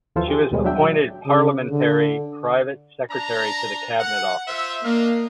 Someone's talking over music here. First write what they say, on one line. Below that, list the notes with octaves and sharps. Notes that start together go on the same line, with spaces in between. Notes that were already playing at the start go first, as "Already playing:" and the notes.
She was appointed Parliamentary Private Secretary to the Cabinet Office.
D#2 E3 F3 F4 A4 C5
G4 G#4
D#2 B2 G3 G#3
F#3 D4 E5 G5
C#3
D3
D4 A5 A#5
F#5
F4 C5 E5
A#3 D4 D#5 F5